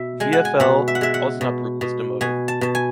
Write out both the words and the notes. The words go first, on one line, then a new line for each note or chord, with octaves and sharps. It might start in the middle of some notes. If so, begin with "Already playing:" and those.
VfL Osnabrück was demoted.
Already playing: B2 E5
G#3 G#5
F#5
G#5
B2 F#5
E5
F#5
G#3 E5
F#5
B2
B2
B2 G#5
A5
B2 A5
G#5